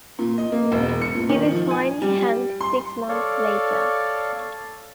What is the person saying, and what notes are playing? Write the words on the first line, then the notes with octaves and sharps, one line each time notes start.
He was finally hanged six months later.
A#2
D#5
A#3
E1
C#7
A#2
D#3
F3
G#5
G3
C6
A4 C#5 D5 F5